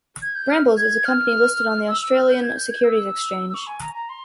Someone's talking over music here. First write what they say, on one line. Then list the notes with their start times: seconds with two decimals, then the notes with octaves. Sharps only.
Brambles is a company listed on the Australian Securities Exchange.
0.22 G#6
0.35 G6
0.50 F6
0.77 G#6
1.05 F6
1.88 E6
2.01 E6
2.15 F6
2.29 G6
2.43 G#6
2.56 G6
2.71 G#6
2.84 E6
3.49 E6
3.54 C#6
3.67 G#5
3.81 A#5
3.95 A#5
4.09 C6